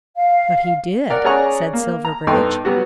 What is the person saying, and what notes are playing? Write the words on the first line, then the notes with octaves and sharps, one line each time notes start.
"But he did," said Silverbridge.
F5
A#4 D5 F#5
C#4 G#4 D5 F#5 A#5 C#6
A#3
A#5
G2 B3 D#4 A4 G5 C6
F#3 G3 B3 F#4